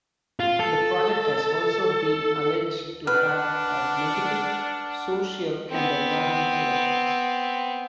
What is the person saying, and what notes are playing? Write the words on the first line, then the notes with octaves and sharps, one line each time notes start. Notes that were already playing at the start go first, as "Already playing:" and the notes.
The project has also been alleged to have had negative social and environmental effects.
F4
A4
D4 B4 F#5 F6
B3 C4